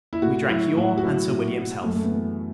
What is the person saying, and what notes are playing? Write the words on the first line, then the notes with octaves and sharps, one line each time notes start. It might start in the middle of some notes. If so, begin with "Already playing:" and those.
We drank your and Sir William's health.
E4
A2 F#4
F#3 E4
A2
F#4
F#3 E4
A2
F#3
F#2 A3
A3
B3
E3